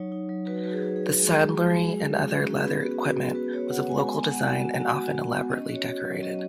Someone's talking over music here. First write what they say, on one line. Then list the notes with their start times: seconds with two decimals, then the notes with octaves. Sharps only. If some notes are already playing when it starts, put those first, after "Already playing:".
The saddlery and other leather equipment was of local design and often elaborately decorated.
Already playing: F#3 D#4 C#5
0.12 D#4
0.29 F#3
0.47 F#4 B4
0.64 F#4 B4
0.72 G#4
0.83 F#4
0.96 F#3 G#4
1.19 G#3 G#4
1.37 G#3
1.43 F#4
1.55 G#3
1.67 G#4
1.74 G#3
1.92 G#3
2.09 G#3
2.27 C#4
2.46 C#4 F#4
2.55 G#4
2.63 B3 B4
2.81 F#4
3.00 F#4
3.18 B3
3.35 F#4 B4
3.53 F#4 C#5
3.71 F#4 F#5
3.89 G#3 G#5
4.07 B3 G#5
4.25 B3
4.31 F#5
4.43 F#4
4.55 G#5
4.61 F#4
4.78 F#4 F#5
4.96 F#4
5.14 F#4
5.33 B3
5.50 C#4 D#5
5.69 F#4
5.74 C#5
5.88 F#4
6.05 F#3
6.23 C#4 D#5